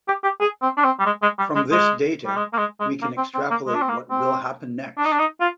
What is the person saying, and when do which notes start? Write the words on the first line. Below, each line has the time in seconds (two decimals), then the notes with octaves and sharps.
From this data, we can extrapolate what will happen next.
0.08 G4
0.24 G4
0.40 G#4
0.62 C4
0.77 D4
0.84 C4
0.99 G3
1.06 G#3
1.22 G#3
1.39 G3
1.55 G#3
1.71 G#3
2.26 G3
2.37 G#3
2.53 A#3
2.58 G#3
2.80 G#3
3.02 A#3
3.18 C4
3.35 C4
3.51 A#3
3.67 G#3
3.75 D4
3.82 C4
3.89 A#3
4.11 C4
4.98 D4
5.05 D#4
5.12 D4
5.19 D#4
5.41 F4